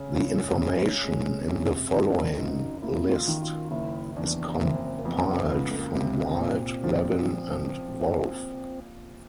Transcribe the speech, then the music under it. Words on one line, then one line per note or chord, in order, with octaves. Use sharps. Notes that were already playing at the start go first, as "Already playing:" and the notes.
The information in the following list is compiled from Wild, Levin, and Wolff.
Already playing: C#3 C#4
C#2
C#3
G#3
C3
G#1 D4
F#2 D#4
A#3 E4
F4
D#3
F4
F#1 E4
E2 D4
F#1 C4
A#3
F2 B3
C#2 B3
A3
A#3
C3
C#4
A#2 C4
F3